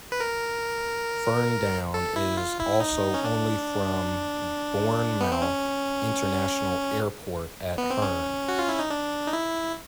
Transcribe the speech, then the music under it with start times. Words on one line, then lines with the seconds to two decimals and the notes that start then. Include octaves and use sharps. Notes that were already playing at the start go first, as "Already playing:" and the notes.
Ferndown is also only from Bournemouth International Airport at Hurn.
0.12 B4
0.20 A#4
1.94 A4
2.16 E4
2.37 F4
2.59 E4
2.80 D#4
3.14 C#4
3.25 D4
5.21 B3
5.32 C4
5.42 C#4
7.78 B3
7.91 C4
8.02 C#4
8.48 F#4
8.59 F4
8.69 E4
8.79 D#4
8.90 D4
9.27 D#4
9.33 E4